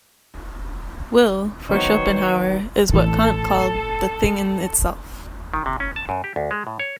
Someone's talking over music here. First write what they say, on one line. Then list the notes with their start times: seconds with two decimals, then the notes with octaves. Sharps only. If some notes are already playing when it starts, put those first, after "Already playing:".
Will, for Schopenhauer, is what Kant called the "thing-in-itself".
1.69 D#3 F#3 B3 C5 C#5
2.93 A1 E3 A4
5.54 D#3
5.66 C3
5.80 C#4
5.96 A5
6.09 F#2
6.24 G4
6.36 D2
6.51 G#3
6.67 A2
6.79 C#5